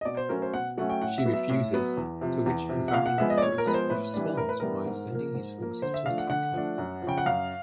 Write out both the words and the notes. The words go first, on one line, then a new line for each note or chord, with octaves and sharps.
She refuses, to which Varimathras responds by sending his forces to attack her.
D#5
B2 D5
C5
F#3 A3 C#4 A#4
C5
B2 F#5
F#3 A3 C#4 F#5
G5
A2 F#5
E5
F#3 B3
E5
A2
F#3 B3
E2
C3 F3
E2
C3 F3
F#5
A#2 F5
F#5
F3 G#3 B3 E5
D#5
D5
A#2 C#5
A#4
F3 G#3 B3 B4
C5
A2 B4
E3 G3 B3 D4
A2 A#4
B4
E3 G3 B3 D4 A#4
G#2
F3 A#3
G#2
F3 A#3
D3 C5
E5
F3 A3 D4 F5
F#5
D3 F#5
F3 A3 D4
F#2
F3
C#3 G5
F#5
F#2 F5